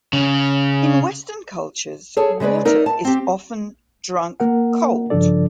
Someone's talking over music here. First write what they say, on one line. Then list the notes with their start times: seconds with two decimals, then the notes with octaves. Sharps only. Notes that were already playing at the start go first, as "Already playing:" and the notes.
In western cultures, water is often drunk cold.
0.13 C#3
2.17 G#4 A4 C#5 A5
2.40 C#3 G#3 G#4 B4 D5
2.65 D#4 A#4 D5 E5
2.86 A5
3.05 C4 G4
4.40 A#3 A#4 F#5
5.10 G2 C#3 F3 D4 A4 D5